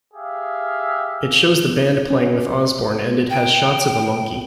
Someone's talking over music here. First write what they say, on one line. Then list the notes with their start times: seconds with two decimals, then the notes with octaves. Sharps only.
It shows the band playing with Osbourne and it has shots of a monkey.
0.14 G4 G#4 E5 F5
2.10 C#4
3.30 G5